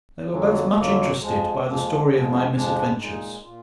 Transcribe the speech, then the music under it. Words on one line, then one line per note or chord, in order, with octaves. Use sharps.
They were both much interested by the story of my misadventures.
F2 D3 F#3 G#3
A#3
A#3
B3
F2 D3 F#3 A#3
F2 F3 G#3
F2 F3 G#3 A#3
F2 F3 G#3 B3
F2 F3 G#3 D4
A#2 G#3 D#4
A#2 F4